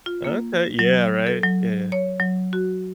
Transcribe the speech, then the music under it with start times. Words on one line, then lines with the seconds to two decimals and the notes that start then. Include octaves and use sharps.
Okay, yeah, right. Yeah.
0.06 F4
0.24 A#3
0.79 F#3
1.27 A4
1.43 F#3
1.92 C#5
2.20 F#3
2.53 F#4